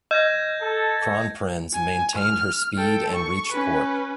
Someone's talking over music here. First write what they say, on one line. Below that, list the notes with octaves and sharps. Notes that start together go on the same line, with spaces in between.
"Kronprinz" maintained her speed and reached port.
D#5 G6 G#6 A#6
A4
G#5
F6
A4 G5
C#6
C#4 B4